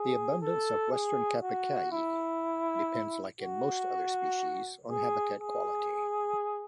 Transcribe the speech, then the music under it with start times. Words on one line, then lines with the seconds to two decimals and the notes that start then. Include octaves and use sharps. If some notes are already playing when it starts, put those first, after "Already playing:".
The abundance of western capercaillie depends-like in most other species-on habitat quality.
Already playing: G#4
0.42 A4
0.92 G#4
1.42 F#4
1.92 E4
3.41 F#4
4.91 G#4
5.41 G#4